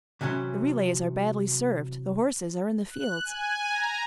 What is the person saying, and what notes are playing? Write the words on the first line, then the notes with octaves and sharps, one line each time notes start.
The relays are badly served, the horses are in the fields.
C3 E3 F#3 C#4
F#6
G#5
A#5